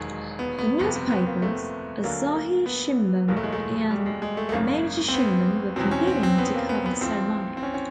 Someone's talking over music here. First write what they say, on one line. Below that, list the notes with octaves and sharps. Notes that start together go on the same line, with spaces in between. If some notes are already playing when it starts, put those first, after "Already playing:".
The Newspapers Asahi Shimbun and Mainichi Shimbun were competing to cover the ceremony.
Already playing: E1 D#2 D#3 F#3 G#3
B3
B3
G1 F2 C3 B3
C4
B3
A#3
A3
D2 D3 F#3 A#3
A#3
B3
F#1 E2 B2 F#3 A#3
A3
G#3
A3
G3
G#3
G#3
A3
A3
G#1 F#2 C#3 A#3
C4
B3
E2 B2 F#3 C4
C#4
C4
C4
B3
A#3
B3
B3
A1 A2 F3 C4
C4
C#4
C#4